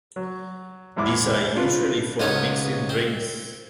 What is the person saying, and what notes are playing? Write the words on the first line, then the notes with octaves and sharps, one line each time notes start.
These are usually for mixing drinks.
F#3
E2 G#2 E4 D6
D4 F4 B4
C#2 G#2 B3 C#4 C#5
C4